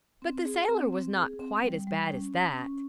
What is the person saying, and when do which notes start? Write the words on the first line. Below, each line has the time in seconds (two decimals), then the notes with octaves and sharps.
But the sailor was not quite as bad as that.
0.22 C4
0.45 G#4
0.68 C4
0.93 C4
1.16 G#4
1.40 C4
1.63 G3
1.87 G3
2.11 C#4
2.34 C#4
2.58 C#4